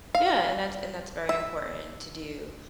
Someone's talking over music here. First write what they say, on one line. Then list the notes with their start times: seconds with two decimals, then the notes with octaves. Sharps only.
Yeah, and that's and that's very important to do.
0.15 F5
1.29 E5